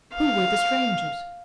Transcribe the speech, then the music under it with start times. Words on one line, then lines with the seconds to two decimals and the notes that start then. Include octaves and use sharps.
Who were the strangers?
0.14 F5